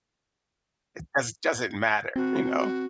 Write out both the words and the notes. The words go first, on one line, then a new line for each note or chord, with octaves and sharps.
It does doesn't matter, you know?
C4 F#4
F#4